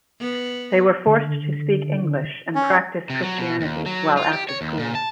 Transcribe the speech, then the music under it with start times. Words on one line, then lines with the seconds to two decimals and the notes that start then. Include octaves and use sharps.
They were forced to speak English and practice Christianity while at the school.
0.20 B3
1.07 D3
2.55 C#4
3.10 C3
3.22 F#3
3.38 B2
3.61 D#2
3.86 F#3
4.17 F4
4.33 G4
4.49 C#5
4.61 D#2
4.79 A#2
4.95 A5